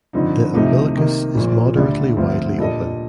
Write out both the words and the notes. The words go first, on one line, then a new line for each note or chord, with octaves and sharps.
The umbilicus is moderately widely open.
G2 D3 F3 C4 D#4
C2 C3 F3 A3 D#4
C3 D#3 A#3
A#1 A#2 F3
D2 D3 G3 D4
D2 D3 F3 C4 F4
A#2 G3 D4 A4 D#5